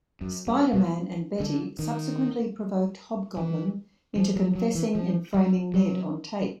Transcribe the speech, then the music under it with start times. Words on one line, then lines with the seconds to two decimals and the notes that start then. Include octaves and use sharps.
Spider-Man and Betty subsequently provoked Hobgoblin into confessing in framing Ned on tape.
0.21 F#2
0.47 G2
0.73 B2
1.40 D3
1.79 D#3
3.37 E3
4.16 F3
4.36 F#3
4.55 F#3
4.75 E3
4.95 F3
5.34 G3
5.74 F#3